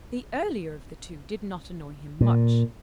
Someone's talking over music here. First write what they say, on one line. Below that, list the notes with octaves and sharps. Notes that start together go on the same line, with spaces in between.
The earlier of the two did not annoy him much.
A#2